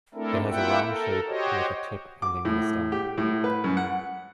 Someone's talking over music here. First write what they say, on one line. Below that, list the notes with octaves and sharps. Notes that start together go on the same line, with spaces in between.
It has a round shape with a tip ending in the stem.
A3 C4 D4 E4 A4 A#4
A#3 E4 F4 E5 F#5 G5
A4 A#4
F#4 G4 C5 C#5 D#5
D6
A2
G4
A2
B4
F#2
F#5